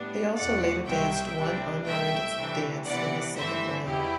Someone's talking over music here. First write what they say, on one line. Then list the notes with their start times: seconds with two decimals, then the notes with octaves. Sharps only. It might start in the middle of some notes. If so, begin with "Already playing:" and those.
They also later danced one unlearned dance in the second round.
Already playing: A2 G3 B3 D4
0.36 E2 B2 A3 D5 F#5
0.87 C2 B2 F#3 C4 E5 G5
1.37 C3 G3 D4
1.86 C2 B2 A3 E5 G5
2.36 C3 E3 A3 D4
2.86 C3 E3 B3 D4 D5 F#5
3.36 G2 E3 A3 C4 C5 E5
3.85 E2 B2 G3 E4 G4